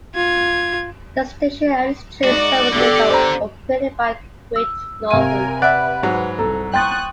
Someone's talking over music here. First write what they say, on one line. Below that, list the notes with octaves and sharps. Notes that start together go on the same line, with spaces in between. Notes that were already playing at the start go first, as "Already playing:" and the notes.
The station and its train services are operated by Great Northern.
F4 G#6
G#3 D#4 F#4 D5
D3 B3 G4 A4
C5 A#5
E6
C3 A#4 F5 G#5 D#7
B4 D5 E5 F#5 F#6 D7
G#2 F#3
C2 A4 A#5
G5 C6 C#6 D#6 F#6 A6